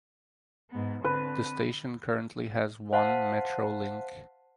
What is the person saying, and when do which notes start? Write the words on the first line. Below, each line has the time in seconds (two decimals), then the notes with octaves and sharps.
The station currently has one metrolink.
0.70 G#2 B3
1.04 D3 C4 B4
2.93 C5 F5 F#5 A5